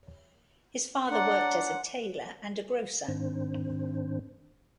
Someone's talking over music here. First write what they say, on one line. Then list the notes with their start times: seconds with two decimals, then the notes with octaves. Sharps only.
His father worked as a tailor and a grocer.
1.09 D4 C#5 F#5 A#5 C6
3.08 G#2 D#3 C4 D4 C5